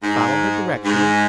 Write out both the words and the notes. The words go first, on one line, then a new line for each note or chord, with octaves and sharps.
Follow her directions.
G#2
G#2